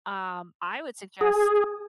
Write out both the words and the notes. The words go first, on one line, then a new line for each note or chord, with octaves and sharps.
um, I would suggest,
G#4